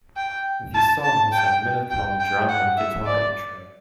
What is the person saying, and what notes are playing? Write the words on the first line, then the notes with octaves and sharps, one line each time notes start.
The song has a minute-long drum and guitar intro.
G5
A5
A5
G5
G5
G5
F#5
E5
D5